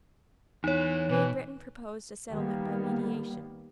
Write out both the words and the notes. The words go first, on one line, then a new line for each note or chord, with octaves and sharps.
Great Britain proposed a settlement by mediation.
E2 E3 D#4 C#5
B2 E3
D#3 G3 A#3 B3